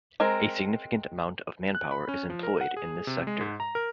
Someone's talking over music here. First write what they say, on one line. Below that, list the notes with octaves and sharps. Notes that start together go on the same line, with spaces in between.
A significant amount of manpower is employed in this sector.
G#3 C4 A#4
F#6
B5
C#4
F3
A#4
F#5
G#4
C3
G#3
G#2
A#5
A#4